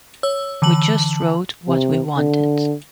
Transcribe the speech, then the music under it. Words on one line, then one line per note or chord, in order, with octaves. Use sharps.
We just wrote what we wanted.
C#5 E6
D3 E3 A5 F#7
C3
D3